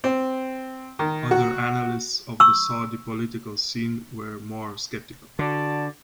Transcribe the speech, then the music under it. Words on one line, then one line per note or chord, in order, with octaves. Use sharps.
Other analysts of the Saudi political scene were more skeptical.
C4
D#3
F#4
C#6 E6
D3 F#4 D5 A5